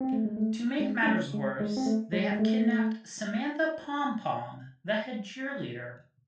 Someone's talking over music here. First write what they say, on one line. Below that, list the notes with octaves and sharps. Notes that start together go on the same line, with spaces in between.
To make matters worse, they have kidnapped Samantha Pompom, the head cheerleader.
C4
A3
G#3
A3
G#3 C4
D#4
A3 C#4
G#3
G#3
C4
A3
G#3
G#3
A3